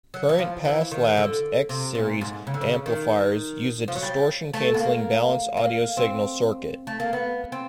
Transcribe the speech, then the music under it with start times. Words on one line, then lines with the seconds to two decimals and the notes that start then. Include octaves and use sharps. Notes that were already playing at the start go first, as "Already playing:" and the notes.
Current Pass Labs "X" series amplifiers use a distortion canceling balanced audio signal circuit.
0.14 F#3
0.29 E3
0.39 F3
0.65 E3
0.92 D#3
1.17 D3
1.69 C3
1.95 A#2
2.21 G#2
2.47 C#3
2.54 D3
2.61 C#3
2.86 D#3
3.88 F3
3.95 F#3
4.03 G3
4.54 A3
4.74 B3
4.79 A#3
5.57 A#3
5.97 C4
6.87 A3
7.00 A#3
7.13 B3
7.52 C4